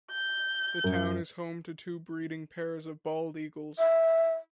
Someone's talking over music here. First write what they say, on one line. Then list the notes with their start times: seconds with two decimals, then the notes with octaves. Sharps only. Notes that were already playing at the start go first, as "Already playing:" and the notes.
The town is home to two breeding pairs of bald eagles.
0.12 G6
0.84 F#2
3.79 E5